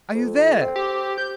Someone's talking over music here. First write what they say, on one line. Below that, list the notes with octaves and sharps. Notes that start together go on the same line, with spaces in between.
Are you there?
F2
C4
G4
G6